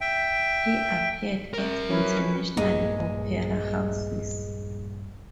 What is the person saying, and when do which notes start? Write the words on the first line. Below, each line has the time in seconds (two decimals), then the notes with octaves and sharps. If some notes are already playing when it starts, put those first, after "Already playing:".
He appeared at international opera houses.
0.01 E5 G5
1.54 A#4 E5
1.90 F#3 C#4 E4 B4
2.57 A#1 G2 G#3 A#3